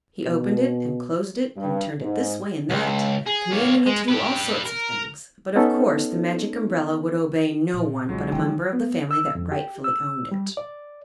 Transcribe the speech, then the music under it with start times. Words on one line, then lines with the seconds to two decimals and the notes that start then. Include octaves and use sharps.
He opened it and closed it, and turned it this way and that, commanding it to do all sorts of things; but of course the Magic Umbrella would obey no one but a member of the family that rightfully owned it.
0.23 B2
1.56 G2
2.00 G#2
2.70 C#2
3.26 G#4
3.52 A#3 C#5
3.86 G#3
4.08 G4 B4
4.65 A#4
5.56 B3 C#4 D#4 A4
7.73 A#2
8.09 B1 F#3 G#3 F4
8.32 C3 E3 G5
8.73 B3
9.11 E6
9.35 F2
9.52 G4
9.84 E6
10.31 G3
10.57 D5